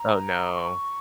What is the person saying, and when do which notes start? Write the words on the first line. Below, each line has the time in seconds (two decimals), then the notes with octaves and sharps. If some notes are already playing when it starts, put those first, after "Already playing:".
Oh, no.
Already playing: A#5
0.54 C#6